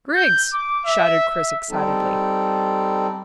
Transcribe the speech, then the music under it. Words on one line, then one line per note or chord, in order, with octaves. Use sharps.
"Griggs!" shouted Chris excitedly.
G6
D6
E5
E5
G3 C4 D#4 A4